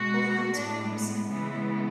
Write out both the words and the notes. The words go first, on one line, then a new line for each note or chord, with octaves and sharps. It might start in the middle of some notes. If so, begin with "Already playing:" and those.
All hands were lost.
Already playing: B2 G#3 F#4
A2 G#3 D4
B3
C#3 E3 G#3 B3